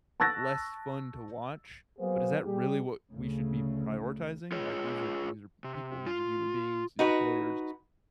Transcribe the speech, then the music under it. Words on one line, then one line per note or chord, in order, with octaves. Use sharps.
less fun to watch, but is that really what we should be prioritizing? Like, these are these are people, these are human beings, these are players
A5 C#6 E6 F#6 A6 A#6
F#3 A#3 B3 G#4 C5
G3 G4 G#4
D2 C#3 A3
F4 G#4 C#5
C3
F4
D#4 F#4 B4